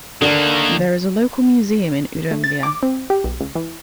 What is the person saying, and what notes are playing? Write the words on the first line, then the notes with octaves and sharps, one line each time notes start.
There is a local museum in Udomlya.
D3 D#3 A#3
A3
A6
D6
C4
G4
B1
C#2
E3